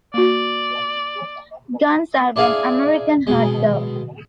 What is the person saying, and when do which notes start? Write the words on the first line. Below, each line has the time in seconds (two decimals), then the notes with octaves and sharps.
Guns album "American Hardcore".
0.14 A#3 F#4 D5
2.36 D4 E4 G#4 F5 G#5
3.27 B2 G#3